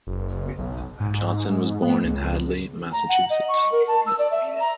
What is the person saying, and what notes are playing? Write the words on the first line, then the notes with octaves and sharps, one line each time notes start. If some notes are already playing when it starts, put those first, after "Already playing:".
Johnson was born in Hadley, Massachusetts.
F#1
B1
G#2
B3
C#2
A#5
F#5
D#5
C#6
A#4
A5
E6
D5
E5
A#5